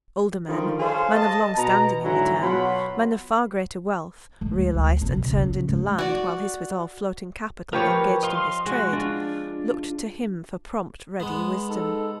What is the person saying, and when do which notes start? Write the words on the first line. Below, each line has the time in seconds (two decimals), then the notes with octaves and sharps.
Older men, men of long standing in the town, men of far greater wealth--realised and turned into land, while his was all floating capital, engaged in his trade--looked to him for prompt, ready wisdom.
0.47 D3 D#3 F3 G3 D#4 F4
0.80 G#4 A4 C5 C#5 D#5 F5
1.16 D#5 A5
1.57 B2 A#5
2.03 G#2 D3 F#3 E4 G#5 A#5
2.41 B2 F#3 F4 F#4 F#5 B5
4.41 D2 G#3
4.75 D2
5.01 B1 C#3
5.33 A#2 C#3
5.68 G#3
5.98 F#4 D5
7.73 F3 G4 A#4 B4 C#5 C#6
8.23 D#5 F5 C6
8.66 G#3 F#4
8.93 D4 F4
11.20 G#3 B3
11.69 D#4 A4